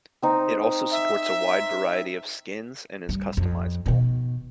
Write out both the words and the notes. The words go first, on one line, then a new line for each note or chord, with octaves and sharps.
It also supports a wide variety of skins and is customizable.
C4 D#4
E5
G2 G3
F2
B2 D#3